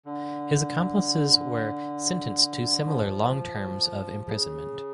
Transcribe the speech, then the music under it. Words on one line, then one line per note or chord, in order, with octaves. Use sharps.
His accomplices were sentenced to similar long terms of imprisonment.
D3
F3
C#3